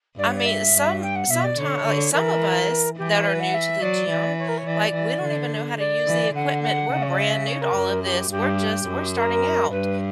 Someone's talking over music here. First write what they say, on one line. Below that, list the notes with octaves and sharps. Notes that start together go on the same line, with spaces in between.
I mean, some sometime like, some of us, that are new to the gym, like, we don't even know how to use the equipment. We're brand new to all of this, we're just we're starting out,
G2 D5
C#5
D5
E5
G2
G5
F#5
B2 E5
D5
D3 C#5
D3
E3 A#4
E3 G4
G4
C#5
B4
F#5
E5
F#3 D5
E3
C#5
A#4
C#5
E3 D5
E3
D3
D5
E3
D3 F#5
F#5
C#3
C#5
D5
E5
C#5
A#4
F#2
G4
G2 G4
F#2
A#4
G2 B4